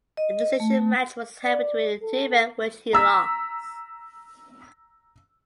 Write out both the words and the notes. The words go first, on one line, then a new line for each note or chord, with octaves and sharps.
A decision match was held between the two men which he lost.
D#5
A3
D5
A4
A#5 E6 B6